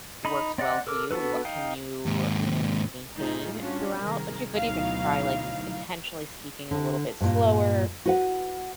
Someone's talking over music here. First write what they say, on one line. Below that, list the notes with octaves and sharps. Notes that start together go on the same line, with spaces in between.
works well for you and what can you, you know, maintain throughout but you could even try, like, s intentionally speaking a little bit slower,
D#4 B5
C4 D5 D#5 F#5 D6
A4 A#4 D6
B3 D4 F#4 A4 B4
D#4 F5 G5
D#2 G#2
A2 A3 D#4 F4 G#4
G3 C#4 D4 F4 F#4
C3 D#3 G3 G#4 A#4
D2 B2 F#3 D#4 E4 F5
D3
G2 A#2
F#4 B4 F#5